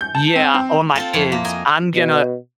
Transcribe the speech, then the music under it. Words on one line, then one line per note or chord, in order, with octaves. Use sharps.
Yeah, or my kids, I'm gonna
G6
A5
C4
C4
C4 F4 A4
F2 E4
A#3
A#4 D#5 G#5
B2